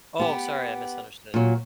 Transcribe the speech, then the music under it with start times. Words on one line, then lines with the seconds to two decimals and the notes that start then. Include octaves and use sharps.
Oh, sorry, I misunderstood,
0.19 B3 G4
1.34 A#2 F#3